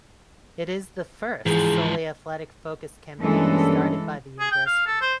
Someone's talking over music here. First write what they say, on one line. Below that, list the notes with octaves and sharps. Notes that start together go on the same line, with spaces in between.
It is the first solely athletic focused campaign started by the university.
G#2 E3 F3 G#4
G2 E3 G#3 A#3 C#4 A4
G#4
G5
F5
A4
C5